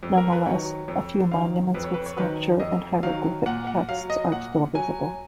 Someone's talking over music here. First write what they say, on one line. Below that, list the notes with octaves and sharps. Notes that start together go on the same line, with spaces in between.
Nonetheless, a few monuments with sculpture and hieroglyphic texts are still visible.
F2
A#4
B4
D#3 F#3 C#5
F2 C#5
D#3 F#3 F5
F2 B4
C#5
B4
C#5
D#3 F#3 B4
F2 D#5
D#3 F#3 F5
A#2 F#5
F#5
F#3 F5
D#5
A#2 F#5
F#3 G#5